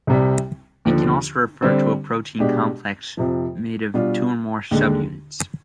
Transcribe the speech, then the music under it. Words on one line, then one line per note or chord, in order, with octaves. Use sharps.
It can also refer to a protein complex made of two or more subunits.
C2 C3 G3
D#2 D3 F3
D3 G3 C4
B2 G#3 D4 G4
F2 C3 F3
B2 G3 D4 F4
D#2 D3 G#3